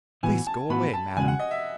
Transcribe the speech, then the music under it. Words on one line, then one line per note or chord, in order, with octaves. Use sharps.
"Please go away, madam!"
A2 E3 B3 F#4 G#5
A5
A2 E3 B3 F#4 B5
A5
E2 C#3 G#3 C#4 F#4 G#5
F#5
D#5
E5